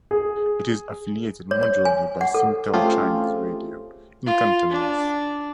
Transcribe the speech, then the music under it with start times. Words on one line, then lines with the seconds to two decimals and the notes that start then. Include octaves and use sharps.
It is affiliated, majorly, by Sing Tao Chinese Radio in Cantonese.
0.11 G#4
1.51 C#5
1.63 C#5
1.85 G#5
2.21 F#5
2.34 A4
2.73 A3 C4 C#4 F4 G4 G#4
4.27 F4
4.70 D4